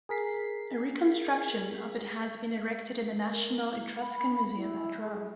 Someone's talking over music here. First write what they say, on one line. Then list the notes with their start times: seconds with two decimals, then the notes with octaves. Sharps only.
A reconstruction of it has been erected in the National Etruscan Museum at Rome.
0.09 G#4 A#4 B6 C7
3.31 A#4
3.70 E4
4.01 B5
4.56 E4
5.03 G#4